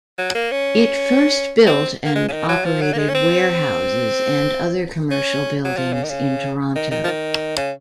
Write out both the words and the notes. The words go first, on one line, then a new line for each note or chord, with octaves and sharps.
It first built and operated warehouses and other commercial buildings in Toronto.
F#3
A#3
C#4
C4
A#3
G#3
C#3
D#3
F#3
F3
F#3
A#3
G#3
C#4
C4
C#4
F#3
F3
C#3
D#3
C#3
D#3
D#3
F3
D#3
C#3